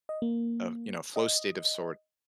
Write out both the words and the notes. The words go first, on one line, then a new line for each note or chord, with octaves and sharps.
uh, you know, flow state of sort
D#5
A#3
D#5